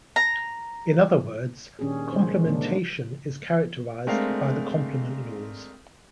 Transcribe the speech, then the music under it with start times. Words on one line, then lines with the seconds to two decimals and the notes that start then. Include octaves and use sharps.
In other words, complementation is characterized by the complement laws.
0.16 A#5
1.79 A#2 D#3 C#4 D4 G4 G#4
2.12 C#3 G#3 A#3 C5
2.46 A#2 D3 D#3 G#3 A#3 D4
4.07 G#3 A3 C4 D4 A#4 F5